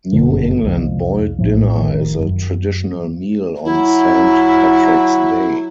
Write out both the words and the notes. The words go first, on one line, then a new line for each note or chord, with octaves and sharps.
New England boiled dinner is a traditional meal on Saint Patrick's Day.
G1 F#2 B2 D3
C2 F2
A#1 A2 F3
F1 D#3
F#2
F#3 E4